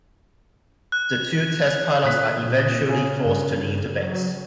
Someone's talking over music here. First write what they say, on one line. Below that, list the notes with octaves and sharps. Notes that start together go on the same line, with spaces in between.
The two test pilots are eventually forced to leave the base.
F#6
A#2 D#6 F#6 B6
C#3 G#4
G2
F#3